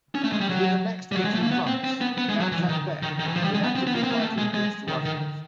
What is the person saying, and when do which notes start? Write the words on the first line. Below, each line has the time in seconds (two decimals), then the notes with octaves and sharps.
Within the next eighteen months, Gamzat-bek had been actively fighting against the Russians.
0.15 C#4
0.24 A3
0.32 G#3
0.41 G3
0.50 F#3
1.12 G3
1.17 F#3
1.25 G#3
1.34 A3
1.42 A#3
1.51 B3
1.67 C4
1.84 C4
2.01 B3
2.18 B3
2.29 G#3
2.41 F#3
2.52 E3
2.69 D#3
3.03 D#3
3.19 D#3
3.28 E3
3.36 F3
3.44 G3
3.54 G#3
3.64 B3
3.76 C4
3.87 B3
3.95 A#3
4.04 C4
4.12 A#3
4.20 A3
4.38 G#3
4.54 G#3
4.88 D#3
5.05 D#3